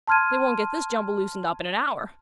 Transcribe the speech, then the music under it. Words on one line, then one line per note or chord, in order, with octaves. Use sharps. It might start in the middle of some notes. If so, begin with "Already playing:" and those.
They won't get this jumble loosened up in an hour.
A5 C6 F6 G#6 D#7